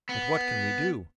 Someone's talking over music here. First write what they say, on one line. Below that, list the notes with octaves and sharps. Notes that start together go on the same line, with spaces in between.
"But what can we do?"
B3